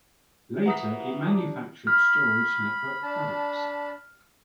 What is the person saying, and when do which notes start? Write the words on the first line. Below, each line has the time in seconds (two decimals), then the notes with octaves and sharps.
Later it manufactured storage network products.
0.66 E3 F#5 A#5 D#6 B6
1.26 D4 G4
1.87 B5 F6
3.03 D4 A5 B5